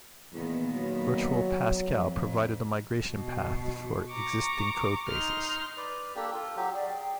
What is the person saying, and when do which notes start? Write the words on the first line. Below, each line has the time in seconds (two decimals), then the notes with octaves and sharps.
Virtual Pascal provided a migration path for existing codebases.
0.33 E2 A#2 D#3 B3
0.74 F#3
1.91 F2
3.08 B2
4.10 A#5 C#6 D6
5.08 D#4 C6 F6
5.77 B4 D5
6.15 A#3 D4 G4 A4
6.33 F4 A4
6.56 F#3 G4
6.73 G#4 D5
6.88 G5